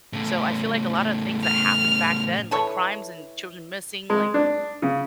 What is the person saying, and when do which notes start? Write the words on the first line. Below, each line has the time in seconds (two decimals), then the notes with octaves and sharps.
so, I feel like a lotta things that happened back then, like crimes and children missing, like,
0.13 A2 C#3
1.43 F6
2.51 E3 A4 C#5
4.10 G#3
4.34 D4
4.82 C#3